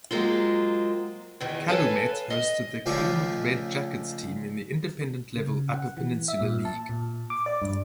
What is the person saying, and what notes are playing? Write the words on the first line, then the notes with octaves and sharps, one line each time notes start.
Calumet hosted the Calumet Red Jackets team in the Independent level Upper Peninsula League.
F#3 G#3 A#3 C4 F4
E2 D#3 E3
A4 B4 C#5 F5 G#5 A5
D#5
C#2 F3 A3 C5 D5
C#3
F#5
E3
E5
A#2
A5
A#2
D6
D5
G2